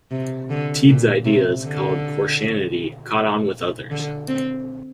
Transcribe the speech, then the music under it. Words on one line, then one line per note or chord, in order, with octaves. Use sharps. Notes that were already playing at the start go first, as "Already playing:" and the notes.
Teed's ideas, called Koreshanity, caught on with others.
C3
D3
A#2
C3
D3
D3
C4